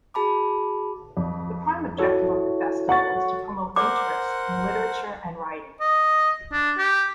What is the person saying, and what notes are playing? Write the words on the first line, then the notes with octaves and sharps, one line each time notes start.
The prime objective of the festival is to promote interest in literature and writing.
F#4 G#4 A5 B5 D6
F2
E4 F#4 A4 C#5
F#5 C#6 A6
A#4 C5 D5 F#5 D6
D#5
D4
G4